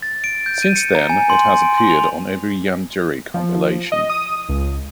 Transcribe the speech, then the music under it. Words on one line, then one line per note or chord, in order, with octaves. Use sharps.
Since then it has appeared on every Ian Dury compilation.
A6
D7
G6
D#7
C#7
A#5
G#5
C6
D7
C6
F7
F3
D#5
D#6
C#2